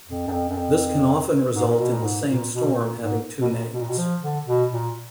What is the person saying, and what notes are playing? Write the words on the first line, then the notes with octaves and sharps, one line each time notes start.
This can often result in the same storm having two names.
F2
F#2
F2
F#2
F2
G#2
A#2
B2
A#2
G#2
A#2
B2
A#2
G#2
B2
A#2
B2
A#2
B2
F3
D3
B2
A#2